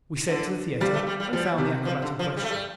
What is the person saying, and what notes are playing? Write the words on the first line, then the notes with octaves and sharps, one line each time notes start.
We sent to the theater and found the acrobat in question.
D3
F3 G3
A3
G3
G3
F3 G3
C3
F3
D3
F3
G3
A3
G3